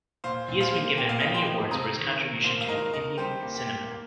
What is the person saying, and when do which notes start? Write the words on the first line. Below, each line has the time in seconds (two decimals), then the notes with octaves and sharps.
He has been given many awards for his contribution to Indian Cinema.
0.24 A#2 C5 F5
0.48 A#2
0.60 C5 F5
0.73 A#3
0.97 A#3 G5
1.09 F5
1.20 A#2 D#5 G5
1.34 G5 C6
1.46 F3
1.71 C3 A#5 D#6
1.96 D#3
2.20 C3
2.44 A#3 C5 F5
2.61 F5
2.69 D#3 A#4 D#5
2.93 D#3 A#4 D#5
3.18 G3 G4 C5
3.43 A#3
3.55 G4
3.67 A#3
3.92 A#3